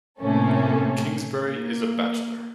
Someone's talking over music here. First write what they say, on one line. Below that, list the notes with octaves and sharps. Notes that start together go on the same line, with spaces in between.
Kingsbury is a bachelor.
A2 C3 A3 A#3 C#4 A4
A#3